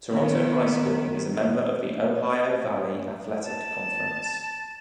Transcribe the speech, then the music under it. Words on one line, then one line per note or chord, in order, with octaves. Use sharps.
Toronto High School is a member of the Ohio Valley Athletic Conference.
D#3 B3
A5